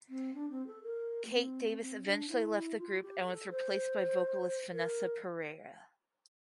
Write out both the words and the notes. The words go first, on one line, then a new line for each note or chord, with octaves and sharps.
Kate Davis eventually left the group and was replaced by vocalist Vanessa Perea.
C4
D4
C4
A4
A#4
A#3
C4
C4
D4
E4
F4
G4
A4
C5
A#4